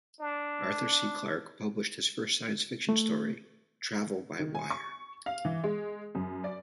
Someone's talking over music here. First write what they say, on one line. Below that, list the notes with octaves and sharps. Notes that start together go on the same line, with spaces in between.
Arthur C. Clarke published his first science fiction story, Travel by Wire!
D4
A3
D#3
G#5
C#6
F5
E3
G#3
F#2
D5